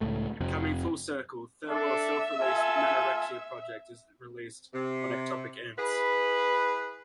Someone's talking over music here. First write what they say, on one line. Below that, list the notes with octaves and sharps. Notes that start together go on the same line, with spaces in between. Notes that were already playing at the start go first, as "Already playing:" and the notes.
Coming full circle, Thirlwell's self-released Manorexia project is released on Ectopic Ents.
C#2 A2 A3
F1 F2 C3 C4
D4 A4 E5
F4 A4 G#5
C3
E4 G#4 B4